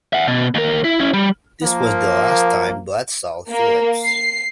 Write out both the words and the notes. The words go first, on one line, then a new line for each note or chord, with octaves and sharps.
This was the last time Bride saw Phillips.
E5 F#5
B2
D#2 A#4
E4
C#4 E4
G3
F3 A#3
A#3
C7